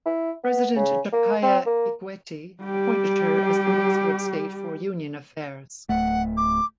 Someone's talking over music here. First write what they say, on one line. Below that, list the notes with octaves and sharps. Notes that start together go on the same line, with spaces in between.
President Jakaya Kikwete appointed her as the Minister of State for Union Affairs.
E4
B3
C#3
A#3
C4
A#3
G3 G4
D1 A3 F#5
D6